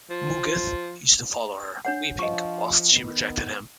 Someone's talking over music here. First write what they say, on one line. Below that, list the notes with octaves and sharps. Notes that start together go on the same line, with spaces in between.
Mughith used to follow her, weeping, whilst she rejected him.
F3
D4 C#5 F#5
F3 D#5 C#6
D#3 B3